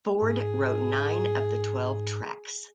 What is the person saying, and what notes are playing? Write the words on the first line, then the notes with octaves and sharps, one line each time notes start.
Ford wrote nine of the twelve tracks.
G#2 G#4